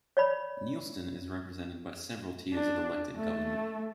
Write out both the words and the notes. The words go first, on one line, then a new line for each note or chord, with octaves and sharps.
Neilston is represented by several tiers of elected government.
C#5 D5 B5
D4
A3